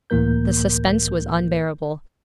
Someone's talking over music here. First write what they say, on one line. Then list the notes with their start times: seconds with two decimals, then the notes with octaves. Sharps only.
The suspense was unbearable.
0.10 C#2 A2 E3 A#3 A#4 G6